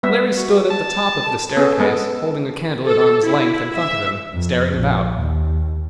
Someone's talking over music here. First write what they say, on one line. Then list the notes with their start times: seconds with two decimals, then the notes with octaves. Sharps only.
Larry stood at the top of the staircase, holding a candle at arm’s length in front of him, staring about.
0.03 G3 B3 E5
0.37 F#4
0.70 A5
1.57 B3 C#4 G#4 A4
1.80 G#3 B3 D#5
2.85 A4
3.27 E4
3.77 E5
4.34 F2
4.73 A#1
5.19 D#2